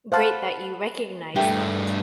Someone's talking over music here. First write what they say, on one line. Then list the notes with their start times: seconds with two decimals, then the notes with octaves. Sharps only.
great that you recognize that.
0.12 A4 B4 C5 F5 F#5 A5
1.36 G2 A3 G4 A#4 E5